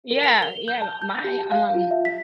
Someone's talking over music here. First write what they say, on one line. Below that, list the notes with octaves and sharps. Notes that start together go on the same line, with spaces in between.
Yeah, yeah, my, um
A#4
F7
G7
G6
A5
G6
G4
A5
F5
F4
E5
B6